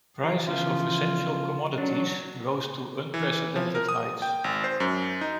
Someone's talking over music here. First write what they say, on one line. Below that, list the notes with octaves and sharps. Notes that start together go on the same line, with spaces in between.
Prices of essential commodities rose to unprecedented heights.
E3 G4 F5 A#5
C#3 F3 B3 F4
F#3 C#4 D4
E3
F3
A#4
D#6
G5
G#1
C5
F#2
D#4